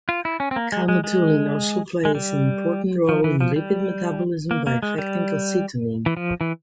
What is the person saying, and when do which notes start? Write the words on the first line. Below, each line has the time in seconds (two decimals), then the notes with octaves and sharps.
Calmodulin also plays an important role in lipid metabolism by affecting Calcitonin.
0.09 F4
0.25 E4
0.40 C#4
0.51 C4
0.56 A#3
0.72 G#3
0.88 G#3
1.04 G#3
2.05 G#3
2.15 G3
3.09 F3
3.24 E3
3.41 F3
3.56 G3
4.51 A#3
4.67 A#3
4.83 G#3
4.98 G3
6.06 E3
6.17 F3
6.41 E3